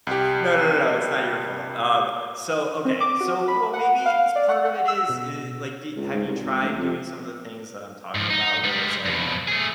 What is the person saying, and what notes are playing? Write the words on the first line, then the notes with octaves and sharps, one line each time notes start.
No, no, no, no, it's not your fault. Um, uh, so, okay so, well, maybe s part of it is i like, d have you tried doing some of the things that I'm talking about where it's like,
C2 G4
C4
D6
F#4
B5
F#5
F5
D5
F#5
F#5
E6
B2
C#2
G#2
C2
G#1
A1
F2
G#2 F3
D#4
G3 G#3
F2 B2
A3 G#4